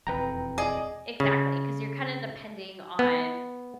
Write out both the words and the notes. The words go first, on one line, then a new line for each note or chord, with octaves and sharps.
Exactly, 'cause you're kinda depending on
E1 F2 B4 G5 A#5
G#4 D5 D#5 G#5
C#3
B3